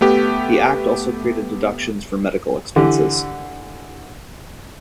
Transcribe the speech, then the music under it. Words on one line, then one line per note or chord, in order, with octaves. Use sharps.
The Act also created deductions for medical expenses.
A3 B3 G4
D3 E3 G4